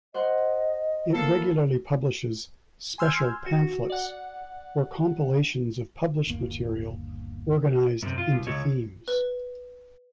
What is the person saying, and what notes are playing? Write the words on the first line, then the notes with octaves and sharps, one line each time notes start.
It regularly publishes "special pamphlets," or compilations of published material organized into themes.
C5 D#5 F#5 C6
A3 A#3 E4 A4 C7
G#5 C6 E6 F6 G6 G#6
F#4
D5 F#5
G1 D#2 A#3
F#2 C3
F4
C2
C#2 C#5
B4